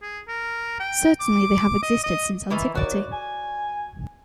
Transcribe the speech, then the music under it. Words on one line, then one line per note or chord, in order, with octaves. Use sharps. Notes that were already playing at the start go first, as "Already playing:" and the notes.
Certainly they have existed since antiquity.
G#4
A#4
G5
D6
D#5
D#5
D#3 E3 E4
D#2 F#4 D5
G#5